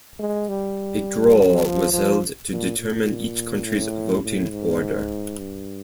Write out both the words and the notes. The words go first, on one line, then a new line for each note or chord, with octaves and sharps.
A draw was held to determine each country's voting order.
G#3
G3
F#3
F3
F3
A#2
A#2
A2
A2
G#2
G2